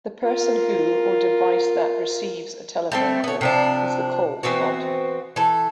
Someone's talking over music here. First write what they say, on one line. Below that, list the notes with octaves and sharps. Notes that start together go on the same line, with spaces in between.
The person who, or device that, receives a telephone call is the called party.
F4 A#4
G3 A3 C4
B3 C#5
C3 F3 D4
E3 B3 C4 F#4
E3 A4